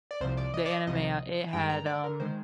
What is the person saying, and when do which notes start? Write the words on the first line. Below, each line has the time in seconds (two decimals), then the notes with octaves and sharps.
the anime, uh, it had, um
0.11 D5
0.20 C2 C3 F3 C5
0.37 D5
0.54 D#5
0.66 D5
0.71 D#5
0.87 C2 C3 F3 D#5
1.53 G2 D#3 G#3 G5
1.69 A#5
1.86 D5
2.04 A#4
2.20 D#3 G#3 C5